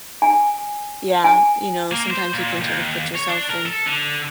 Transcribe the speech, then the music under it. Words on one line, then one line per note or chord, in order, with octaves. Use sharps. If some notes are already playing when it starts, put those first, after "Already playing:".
Yeah, you know, sometimes you can sort of put yourself in
G#5
G#5
A#3
C5
A#2
D#2
C#5
D4
A#4
A4
D3